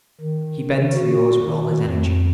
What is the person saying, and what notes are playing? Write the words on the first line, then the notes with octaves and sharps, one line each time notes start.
He bent to the oars with all his energy.
D#3
F#4
D#3
F2